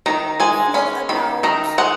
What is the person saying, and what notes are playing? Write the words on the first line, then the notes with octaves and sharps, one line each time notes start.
feel about
D#3 A#5
G#3 G#5
C#4 B5
D#3 B5
D#3 A#5
G#3 F#5